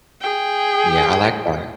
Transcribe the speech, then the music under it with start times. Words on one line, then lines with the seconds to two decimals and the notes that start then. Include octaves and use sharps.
Yeah, I like that.
0.21 G#4 G5